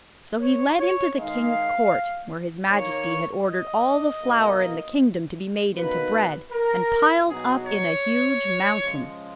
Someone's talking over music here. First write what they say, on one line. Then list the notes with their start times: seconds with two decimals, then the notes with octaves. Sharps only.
So he led him to the king's court, where his majesty had ordered all the flour in the kingdom to be made into bread, and piled up in a huge mountain.
0.40 C#5
0.79 C#5
1.17 D#3 G#3 D#4 F5
2.69 D#3 A#3 C#4 C#5
3.46 D#5
4.22 B2 A#3 D#4
5.75 B2 A#3 D#4 B4
6.52 A#4
7.28 B2 F#3 B3 D#4 G#4
7.66 C#5
8.81 C#3 F3 G#3